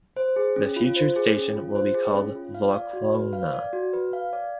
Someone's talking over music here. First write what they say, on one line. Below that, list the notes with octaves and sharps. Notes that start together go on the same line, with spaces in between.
The future station will be called Volkhonka.
C5
G#4
C#4
F4
C5
G#4
C#4
F4
C5
G#4
C#4
F4
F5
D5
F#4
B4
F5
D5
F#4
B4
F5
D5